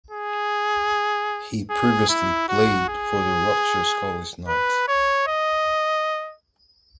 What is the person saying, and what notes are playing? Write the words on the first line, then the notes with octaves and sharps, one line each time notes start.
He previously played for the Rutgers Scarlet Knights.
G#4
G#4
E4
F#4
G#4
B4
C#5
D#5